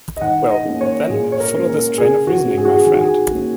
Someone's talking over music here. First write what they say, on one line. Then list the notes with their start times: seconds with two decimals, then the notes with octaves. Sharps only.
Well, then, follow this train of reasoning, my friend!
0.17 D#5
0.21 D#3 F#5
0.50 D#5
0.65 A#3 C#4
0.81 C#5
1.10 A#2 G#4
1.32 C#5
1.40 A#4
1.54 A#3 C#4
1.69 A#4
1.98 C#3 G#4
2.27 F#4
2.42 G#3 C#4
2.58 G#4
2.65 F#4
2.75 G#4
2.86 D#3 G#4
2.94 F#4
3.01 G#4
3.31 A#3 C#4